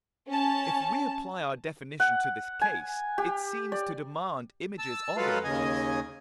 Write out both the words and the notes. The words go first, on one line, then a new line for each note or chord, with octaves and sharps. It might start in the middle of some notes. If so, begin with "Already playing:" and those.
If we apply our definition to this case, it seems to demand images of images.
C#4 A5
F#5
G#5
G4
D5
A5 E6
F#3 G#3 F4 A4 B4 F5
D#2 C#3 D#5 G#5